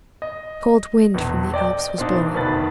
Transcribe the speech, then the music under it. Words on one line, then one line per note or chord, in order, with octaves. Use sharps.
A cold wind from the Alps was blowing.
D#5
E1 A#1 E2
D5 D#5 G5
A#2 C4 D4 D#4
C2 A#2
E1 D2 B2 D#3 B4 A6